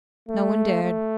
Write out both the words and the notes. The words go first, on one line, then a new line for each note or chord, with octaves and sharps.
No one dared.
A3
A3